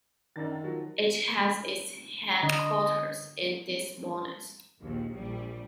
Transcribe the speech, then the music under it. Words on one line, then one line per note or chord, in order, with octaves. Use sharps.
It has its headquarters in Des Moines.
F#2 D#3 D4 A6
F3 F#3 F#4
D3 D#5
A#1 D#2
A#1 G3